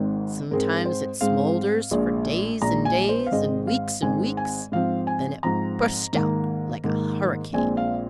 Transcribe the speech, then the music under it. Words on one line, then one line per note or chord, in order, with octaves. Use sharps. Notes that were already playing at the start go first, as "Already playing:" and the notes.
"Sometimes it smoulders for days and days, and weeks and weeks; then it bursts out like a hurricane."
Already playing: G#1 G#2 D#3 C4
G#2 G#3 C4 A#4
C5
G#2 G#3 C4 F5
A#1 A#2 G#3
A#1 A#2 G#3 A#5
G#5
C5
F5
G#1 G#2 G#3 C4 D#5
F5
G#1 G#2 G#3 C4 G#5
G#5
G#2 F3 C4 F5
G#5
G#2 F3 C4 A#5
G#2 D#3 A#3
G#2 D#3 A#3
A#1 A#2 G#3 C4 G#5
F5